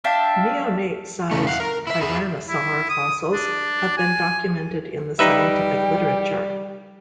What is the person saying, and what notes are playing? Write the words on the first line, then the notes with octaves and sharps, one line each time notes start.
Neonate sized tyrannosaur fossils have been documented in the scientific literature.
D4 E5 F5 G5
C#3 A3
F5 F#5
A#4
E4 E5
E4 G#4
E4
D#6
D4
G#5
G3 D#4 B4 E5 G5